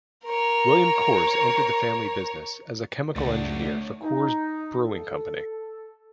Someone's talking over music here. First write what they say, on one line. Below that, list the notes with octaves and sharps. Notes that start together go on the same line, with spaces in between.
William Coors entered the family business as a chemical engineer for Coors Brewing Company.
A#4 C#5
C#2 A3 D4 C#5 D5 F#5
D#4
A4